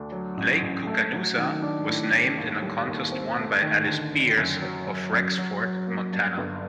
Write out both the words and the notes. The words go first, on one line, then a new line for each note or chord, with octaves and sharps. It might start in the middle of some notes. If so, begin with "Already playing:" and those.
Lake Koocanusa was named in a contest won by Alice Beers of Rexford, Montana.
Already playing: D2 D4
F#3
A1
A1
A3
F#3
D#3
D4
A2
A2
D#2
G3
D#2
C4
A3
D#3
D3
F#1
F#2
F#3
F#3
F#2
F#3
F#3
A#3
G2
G1